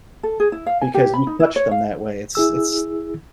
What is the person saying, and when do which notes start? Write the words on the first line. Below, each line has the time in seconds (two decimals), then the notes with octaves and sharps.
because you touch them that way, it's it's
0.23 A4
0.40 G#4
0.52 E4
0.66 F5
0.81 G#5
0.95 G4
1.14 B5
1.27 D#4
1.40 E4
1.56 C#5
1.71 F5
2.35 E4 G#4 E6